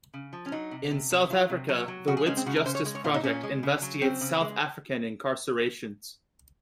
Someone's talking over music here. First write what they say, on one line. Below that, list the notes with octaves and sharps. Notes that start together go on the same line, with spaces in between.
In South Africa, the Wits Justice Project investigates South African incarcerations.
C#3
F3
C#4
F#3 D#4
C3
C3
C3
F#3 F4
C3
F#3
F#3
C#3 F#4
G#4
G#3 C#4
C4
C#3 F#4
A#4
C#3 C5
C#5
G#3
C#5
A#2 F4
D#4
A#2 C#4
G#3
C#3
F#3
C#3 C4
C#3
G#3